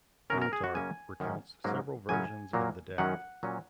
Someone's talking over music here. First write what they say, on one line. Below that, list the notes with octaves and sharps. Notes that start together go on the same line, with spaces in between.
Plutarch recounts several versions of the death.
F#2 F#3 C#4 A#4
A#4
G#4
F#4
F#2 C#3 A#3 C#4 G#5
F#2 D#3 A#3 C#4
G#2 F#3 A#3 C#4
F#2 C#3 F#3 C#4 G#5
A#2 F#3 A#3
F#2 D#3 F#3 C#4 F#5
A#2 F#3 C#4